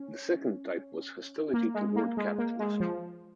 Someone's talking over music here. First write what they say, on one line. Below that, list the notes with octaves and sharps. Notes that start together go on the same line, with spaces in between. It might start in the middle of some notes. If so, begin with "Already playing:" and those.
The second type was hostility toward capitalism.
Already playing: C#4
A#3
G#3
A#3
G#3
A#3
G#3
F3